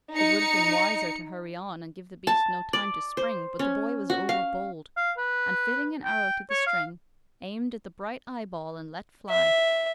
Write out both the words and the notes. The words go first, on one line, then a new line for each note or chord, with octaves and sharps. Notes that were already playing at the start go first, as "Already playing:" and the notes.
It would have been wiser to hurry on and give the beast no time to spring; but the boy was over bold, and, fitting an arrow to the string, aimed at the bright eye-ball and let fly.
D#4 C#7
A5
D5
C5
C#4
F#4
F5
F5
B4
G5
C#5
F5
E5